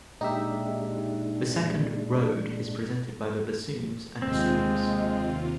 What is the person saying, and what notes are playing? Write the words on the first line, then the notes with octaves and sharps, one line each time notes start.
The second "road" is presented by the bassoon and the strings.
A#2 G#3 D4 D#4 G4 E5
D#2 C3 G#3 C4 F4